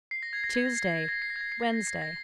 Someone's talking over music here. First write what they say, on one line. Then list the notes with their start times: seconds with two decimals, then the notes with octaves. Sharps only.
Tuesday, Wednesday.
0.11 C7
0.23 A#6
0.33 G#6
0.44 A#6
0.55 G#6
0.66 A#6
0.76 C7
0.88 C7
1.09 A#6
1.22 C7
1.30 A#6
1.36 G#6
1.41 A#6
1.52 C7
1.62 A#6
1.73 A#6
1.87 C7
2.02 A#6